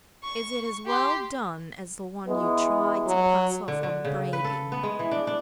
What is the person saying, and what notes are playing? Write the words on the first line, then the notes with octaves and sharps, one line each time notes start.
"Is it as well done as the one you tried to pass off on Brady?"
C#6
G4 C6
E3 G#3 B3
F#3
D3
D3
C#3
B4
A4
B3
G#3
E3
D4
D4